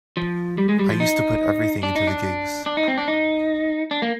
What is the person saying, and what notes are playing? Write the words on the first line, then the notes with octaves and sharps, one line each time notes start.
I used to put everything into the gigs.
F3
G3
G#3
G3
F3
D#4
D4
D#4
D4
D4
D#4
C4
D4
D#4
D4
A#3